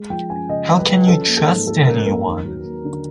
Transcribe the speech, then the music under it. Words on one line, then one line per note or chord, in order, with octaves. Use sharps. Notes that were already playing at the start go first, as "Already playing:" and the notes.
How can you trust anyone?
Already playing: G#3
F3 G5
F#2 G#5
C#3 D#5
G#3
B4
F3
C#4 A4
A#3
A4
G#2
F3 A4
C#4 A#4
A#3 A#4
D#2
F#3
D#2
D3